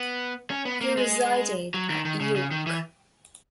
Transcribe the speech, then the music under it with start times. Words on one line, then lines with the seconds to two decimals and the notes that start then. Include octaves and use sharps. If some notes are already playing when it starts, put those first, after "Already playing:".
He resided at York.
Already playing: B3
0.50 C#4
0.65 B3
0.81 A#3
0.97 G#3
1.74 F#3
1.90 D#3
2.05 D#3
2.20 C#3
2.36 C#3
2.51 D#3
2.67 E3